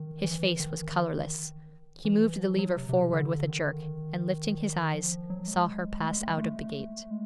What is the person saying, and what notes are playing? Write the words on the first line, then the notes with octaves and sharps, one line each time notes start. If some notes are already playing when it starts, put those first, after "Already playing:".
His face was colorless. He moved the lever forward with a jerk, and lifting his eyes, saw her pass out of the gate.
Already playing: D#3
E3
D#3
E3
F3
F#3
C3
C3
D3
D#3
F3
F#3
G#3
A3
G#3
A3
G#3
A3
G#3